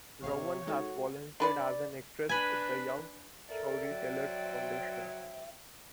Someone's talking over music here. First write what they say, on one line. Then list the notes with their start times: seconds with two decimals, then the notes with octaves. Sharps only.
Rowan has volunteered as an actress with the Young Storytellers Foundation.
0.22 A1 C3 C#5 F5
0.67 G#3 D#4 F#4 A4
1.40 D4 B4 D5
2.29 D4 B4 G#5 B5
3.49 A4 A#4 D5 E5
3.91 F#3 C5 G5